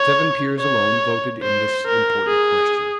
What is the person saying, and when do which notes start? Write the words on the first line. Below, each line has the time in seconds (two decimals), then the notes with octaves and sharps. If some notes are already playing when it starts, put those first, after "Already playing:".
Seven peers alone voted in this important question.
Already playing: C#5
0.59 C#5
1.43 C5
1.86 A#4
2.28 G#4